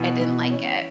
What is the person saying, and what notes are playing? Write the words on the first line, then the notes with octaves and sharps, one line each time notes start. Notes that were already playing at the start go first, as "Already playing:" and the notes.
I didn't like it.
Already playing: B2 E3
E3
C#4